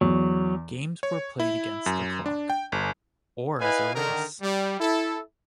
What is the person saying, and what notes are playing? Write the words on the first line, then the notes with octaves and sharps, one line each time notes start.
Games were played against the clock, or as a race.
E2 F#3
C#5
E4
F#2
D4
G5
G1
E4 B4 D#5 F5 G#5
D3 D#3 A#4
G3
E4 A4